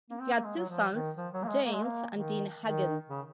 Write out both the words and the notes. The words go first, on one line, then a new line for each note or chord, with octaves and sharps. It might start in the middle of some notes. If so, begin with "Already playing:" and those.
They had two sons, James and Deane Hagen.
A#3
C4
A#3
G#3
F#3
F3
D#3
F3
F#3
A#3
G#3
A#3
G#3
A#3
D#3
D#3
C#3